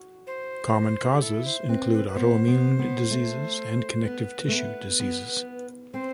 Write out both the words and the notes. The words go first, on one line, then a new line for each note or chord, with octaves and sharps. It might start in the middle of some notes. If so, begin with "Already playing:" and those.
Common causes include autoimmune diseases and connective tissue diseases.
Already playing: F#4
C5
G4
E4 A4
C5
C4 B4
B4
B4
B3 C5
B3
B3
A3
B3 B4
A3
B3
B3
C4 C5